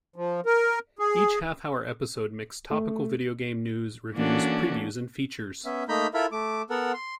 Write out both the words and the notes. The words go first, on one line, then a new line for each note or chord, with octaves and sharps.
Each half-hour episode mixed topical video game news, reviews, previews and features.
F3
A#4
G#4
A3
E3 A#3 C#4 D4 F#4 A4
B3 C#4 E5
A3 A#3 D#4 A#5 B5 G6
E4 F4 A4 A#4 E5 B5
A3 D6
B3 A4 A#4 F#5
C6